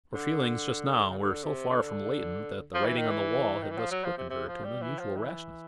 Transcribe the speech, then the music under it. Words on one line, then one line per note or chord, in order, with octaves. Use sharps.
Her feelings just now were so far from latent that the writing on the wall had thus quickened her to an unusual rashness.
D3
C#3
D3
C3
D3
F3
E3
D#3
E3
D#3
E3
F3
F#3
F3
C3
C3
F3
G3
E3
F3
E3